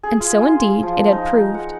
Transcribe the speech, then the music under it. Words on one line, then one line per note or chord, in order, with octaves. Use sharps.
And so, indeed, it had proved.
G#4
F4
C6
F3
D#4
F#5